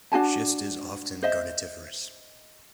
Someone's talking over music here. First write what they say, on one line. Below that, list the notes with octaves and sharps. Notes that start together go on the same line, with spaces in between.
Schist is often garnetiferous.
D4 F#4 G#5 A5
C5 D#5 E5